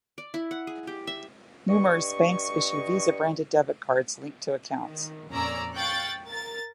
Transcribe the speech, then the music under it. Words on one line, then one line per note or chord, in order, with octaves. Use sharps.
Numerous banks issue Visa-branded debit cards linked to accounts.
D5
E4
F#5
G#4
G4
E5
G2 D#5 C#6
D#3
F2 A#2 C#4 D5 A#5 E6
F5 G5 C#6 F#6 G6 A6
A#4 A6